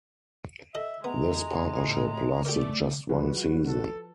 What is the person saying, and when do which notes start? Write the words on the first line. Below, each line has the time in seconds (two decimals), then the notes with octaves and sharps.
This partnership lasted just one season.
0.75 A4 D#5 E5
1.04 G#3 B3 A#5
1.72 A2
2.45 A3 G4 A#4 D5 D6
3.09 G2 F3 G#3 F#4 B4
3.68 A4